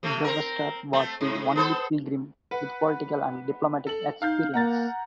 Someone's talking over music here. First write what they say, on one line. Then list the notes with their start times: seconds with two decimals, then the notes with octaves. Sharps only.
Brewster was the only Pilgrim with political and diplomatic experience.
0.03 C3 A3
0.24 C4 A#4
0.93 A3 C4
1.21 G#2
1.55 B3 A4 C5
2.51 B4 F#5
3.87 A4 F#7
4.22 D#4 F5 F6 G6
4.54 A#3 F#5 A#5 A6